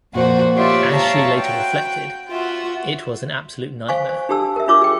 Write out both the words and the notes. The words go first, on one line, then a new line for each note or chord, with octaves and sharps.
As she later reflected: It was an absolute nightmare.
F2 A#2 F#4 C5
F4 G4 C#5 D5 E5
C#5 E5 F5 A5 A#5
F#4 G5
F4 F#4 E5
C5 F5 G#5 C#6
C5
D4 G4 A4 A5 E6
A#4 E5
D4 F4 C#5 D6 E6
G#4 G5